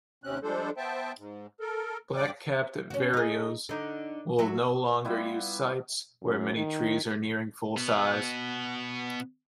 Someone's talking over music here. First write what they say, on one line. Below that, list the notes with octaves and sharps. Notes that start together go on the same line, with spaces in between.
Black-capped vireos will no longer use sites where many trees are nearing full size.
D#2 C3 C4 C#4 F#6
F3 G3 G#3 D4 A4 C5
B3 C5 E5 G5 A5
G#2
A4 A#4
G2 D5 G5 D6
C#4 F#4
D#4 G#4
D3 D#4
F#3 F#4 E5
G3 B3 E4 F4
F#2
D#3
B2 B3